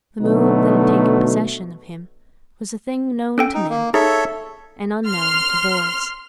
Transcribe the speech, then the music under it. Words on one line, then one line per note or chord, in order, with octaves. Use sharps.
The mood that had taken possession of him was a thing known to men and unknown to boys.
B2 D3 F#3 A3 B3 D#4
C#4 A4 G5
D#4
A#3
D#4 G#4 A4 C#5 E5
C6 F6